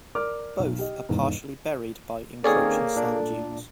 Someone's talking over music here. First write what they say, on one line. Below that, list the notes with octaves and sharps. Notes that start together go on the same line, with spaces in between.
Both are partially buried by encroaching sand dunes.
A#4 D5 D6 F6
B1
G4 D#5
F1 E2 G#2
D#3 A#3 C4 C#4 G#4 A4 C#5 D5
A#2 D4